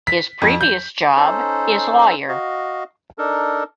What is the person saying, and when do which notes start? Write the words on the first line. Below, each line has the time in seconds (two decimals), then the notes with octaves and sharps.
His previous job is lawyer.
0.07 B6
0.42 F2
0.61 G6
1.16 C#4 D#4 A4 C5
2.28 F#4 D#5 F5
3.18 D4 D#4 A4 A#4